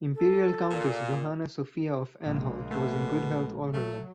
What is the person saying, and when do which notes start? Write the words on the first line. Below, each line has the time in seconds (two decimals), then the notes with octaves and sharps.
Imperial Countess Johanna Sophia of Anhalt was in good health all her life.
0.15 A4
0.71 A#2
2.26 A#1 C#3 G#3 A#3
2.71 B2 A3
3.73 F#3 A3